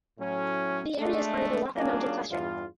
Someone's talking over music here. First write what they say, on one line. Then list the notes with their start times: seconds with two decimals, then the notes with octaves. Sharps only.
The area is part of the Walker Mountain Cluster.
0.18 A2 F#3 C#4
0.98 G#3 A3 D4
1.75 F#3 A#3 C#4 D4 F4 G#4
2.30 E2 G2 F4